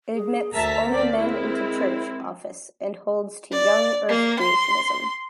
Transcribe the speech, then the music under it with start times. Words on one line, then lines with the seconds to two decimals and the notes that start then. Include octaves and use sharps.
It admits only men into church office and holds to Young Earth creationism.
0.15 G#4
0.54 D2 A#4 E5 A5 A#5 B6
0.89 C4 D5
1.18 G#3 C4 E4
3.53 D5
4.09 A#3
4.40 C6